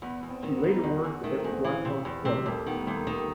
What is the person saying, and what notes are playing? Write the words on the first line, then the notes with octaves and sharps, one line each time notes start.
She later worked at the Blackhawk Club.
E2 B3
E2
C4
D#3 C4
B3
D#4
B3
E2
E2
D#3 A3
C4
E2
C4
E3
C3
E2
C3 F#3
G3
D#2 A3
D#3 B3
G3
D#2 A3
D#3